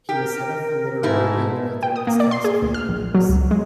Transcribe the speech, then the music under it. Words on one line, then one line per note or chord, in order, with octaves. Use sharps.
He was head of the literary panel of the Arts Council for many years.
G4 A#4
G#2 A3 E4
G5
D#6
A#3
D5
C6
G#4
D2
F6
A#1
F#3
C#2
G#3